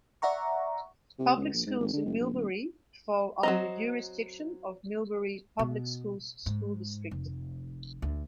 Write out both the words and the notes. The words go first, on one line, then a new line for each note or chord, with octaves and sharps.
Public schools in Millbury fall under the jurisdiction of Millbury Public Schools school district.
D5 E5 F#5 A#5 C#6
C3
C#2
A#1
G#2
G#1
D3
F#1
A#1
D#1
F#3 C4 D#5 A#5
B2
G#2
F1
D2